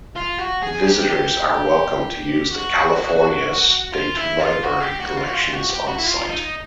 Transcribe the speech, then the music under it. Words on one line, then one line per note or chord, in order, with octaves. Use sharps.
Visitors are welcome to use the California State Library collections on site.
F4
F#4
G#4
G4
G4
F#4
F4
E4
F4
F#4
G4
F#4
F4
F#4
F4
F#4
G4
F#4
E4
F4
D#4